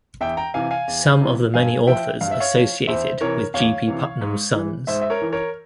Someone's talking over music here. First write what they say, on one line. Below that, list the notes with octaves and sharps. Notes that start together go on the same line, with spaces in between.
Some of the many authors associated with G. P. Putnam's Sons.
E2 E5 G5
G5 A#5
C3 E3 F5 G#5
F5 G#5
E2
C3 E3
G2 F5 G#5
F3 E5 G5
G2 F5
E5
C#5 F5
F3
E2 C5 E5
C3 E3 A#4 C#5
E2 C#5 F5
C3 E3
G#2
E3
G#2 C5 E5
E5
A#4 C#5
E3
A#4 C#5